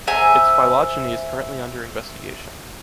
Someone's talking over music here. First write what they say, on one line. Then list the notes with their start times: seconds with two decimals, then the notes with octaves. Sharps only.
Its phylogeny is currently under investigation.
0.07 C5 E5 G#5 A#5